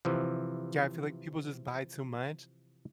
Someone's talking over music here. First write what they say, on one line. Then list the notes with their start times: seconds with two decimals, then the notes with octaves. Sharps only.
Yeah, I feel like people just buy too much,
0.05 C3 E3 F3